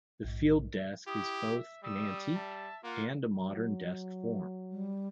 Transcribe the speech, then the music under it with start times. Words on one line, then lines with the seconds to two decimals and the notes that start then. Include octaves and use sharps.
The field desk is both an antique and a modern desk form.
0.24 A#1 G#2
1.07 E4 G4 D#6
1.52 E5
1.84 G3 D#6 E6
2.35 E5 A5
2.84 A#3 F4 F#5
3.36 F#3
4.71 G3